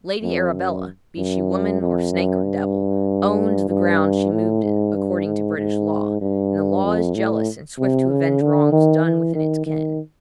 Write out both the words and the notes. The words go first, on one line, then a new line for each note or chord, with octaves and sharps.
Lady Arabella, be she woman or snake or devil, owned the ground she moved in, according to British law, and the law is jealous and swift to avenge wrongs done within its ken.
F2
F#2
F#2
F2
F#2
G2
G2
A2
G#2
G2
G#2
G#2
G2
F2
A2
C3
C#3
D3
D#3
E3
D#3
D#3